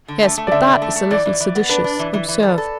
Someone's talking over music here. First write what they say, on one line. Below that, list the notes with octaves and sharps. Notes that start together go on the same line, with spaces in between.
"Yes; but that is a little seditious, observe."
D3
A3
A3
D5
D3 E5
D3
A3
A3
E3 D5
E3
E3
B3
D4 B4
D4
E3
E3
E3
A4
A4